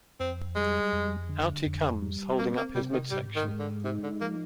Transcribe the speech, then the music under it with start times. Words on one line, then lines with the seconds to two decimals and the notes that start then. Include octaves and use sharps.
Out he comes, holding up his midsection.
0.20 F2 C4
0.56 G3 G#3
0.93 F2
1.29 D3
1.66 F2
2.02 G3
2.38 A#3 C4
2.57 A#3
2.75 C3 G3
2.93 D#3
3.11 G#2 G3
3.36 D#3
3.48 G#3
3.60 D3
3.84 C3 D#4
4.03 D3
4.21 F3 A#3